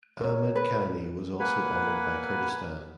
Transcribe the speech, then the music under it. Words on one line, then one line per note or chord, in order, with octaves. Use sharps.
Ahmad Khani was also honoured by "Kurdistan".
A#4 C#5
B4
A#3 B4 F#5 G#5 B5